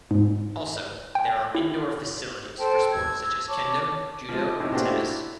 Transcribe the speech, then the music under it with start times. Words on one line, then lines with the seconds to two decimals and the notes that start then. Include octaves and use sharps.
Also there are indoor facilities for sports such as kendo, judo and tennis.
0.11 G#2
1.15 G5
1.55 E4
2.58 A4 C5 G5 A5
2.91 E6 G#6
3.48 C#5 A5 C#6 D6
4.29 F3 G#3
4.45 D#5 D6
4.60 A2 C3 D#4 E4
4.72 A3 A#3 D4 F#4 G4 C5
4.89 E4